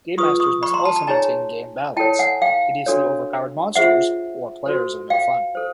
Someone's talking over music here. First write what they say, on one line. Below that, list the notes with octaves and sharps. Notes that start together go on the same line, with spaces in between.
Gamemasters must also maintain game balance: hideously overpowered monsters "or" players are no fun.
F4 G#4 B4 C#6 D#6
C#6 D#6
B5 C#6
A#5 C6
A5 B5
A5 B5
D#4 G#4 C#5 G#5 A#5
E4 A4 C#5 G5 A5
F#5 G#5
F5 G5
D4 F#4 A4 C#5
F4 G#4 C5 E5 F#5
F#4 A4 C5
F5 G5
A4 C5